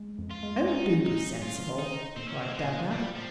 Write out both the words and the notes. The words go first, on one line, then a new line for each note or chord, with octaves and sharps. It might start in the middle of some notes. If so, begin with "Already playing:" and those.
"Oh, do be sensible!" cried Dab-Dab.
Already playing: G#3
F2
F4
G#3
C#4 D#4
C#4
D#4
C#4
C#4 F4
D#3
D#4
C#4
A#2 C4
C#4
A#2 C4
A#3
G#3
A#2
A#2 G3
A#2 F3